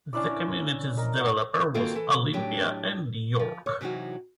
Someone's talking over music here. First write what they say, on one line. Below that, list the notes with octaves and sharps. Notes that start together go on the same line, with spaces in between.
The community's developer was Olympia and York.
C#4 D4 E4 D5
D4 A#4 D#5
C#5 F#5
D#3 A#3 C4 F4 F#4 A4
E3 A4
A2 F#3 D4 G4 G5
F3
C#5
C3 E3 F#3 D#4 F#4